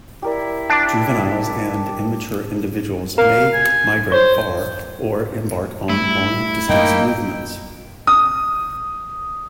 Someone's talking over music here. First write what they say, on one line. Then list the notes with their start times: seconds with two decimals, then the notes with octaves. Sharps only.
Juveniles and immature individuals may migrate far or embark on long-distance movements.
0.22 E4 G4 A#4 D5
0.70 D4 A5 D6
3.18 A#4 F5
3.53 G#5
4.12 C5 C#5
5.90 G3 A3 E4
6.69 F#2 A3 A#3 D#4 D#5 G5
8.07 D#6